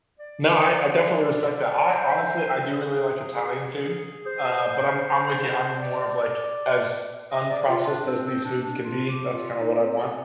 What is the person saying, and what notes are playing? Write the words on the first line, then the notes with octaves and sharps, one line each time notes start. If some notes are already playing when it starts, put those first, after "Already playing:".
No, I I definitely respect that. I honestly, I do really like Italian food, uh, but I'm I'm with ya, I'm more of, like, as unprocessed as these foods can be, that's kind of what I want.
D5
C5
G#4
C5
D5
D#5
D5
F4
D4
C4
C4
D4
D4
F4
G4
F4
F4
D#4
C4
B3